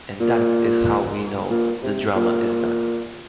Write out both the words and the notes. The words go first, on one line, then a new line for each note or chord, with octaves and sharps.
And that is how we know the Drama is done.
A#2
A#2
C3
A#2